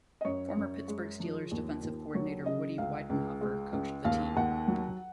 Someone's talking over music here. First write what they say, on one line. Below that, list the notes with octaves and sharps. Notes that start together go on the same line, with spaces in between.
Former Pittsburgh Steelers defensive coordinator Woody Widenhofer coached the team.
D#5
F#2 C#5
F#2
G#3
F3
D#2
D#2
F#3 C#5
C#3 D#5
C#2 F5
C#2
G#3
C#2
D#2 F5
D#2 F#5
F#3